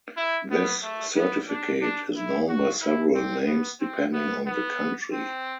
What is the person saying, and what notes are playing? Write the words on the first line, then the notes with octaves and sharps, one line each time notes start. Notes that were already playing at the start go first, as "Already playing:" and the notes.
This certificate is known by several names depending on the country.
E4
B3
A3
B3
D4
D4
E4
F#4
E4
C4
B3
C4
B3
B3
C4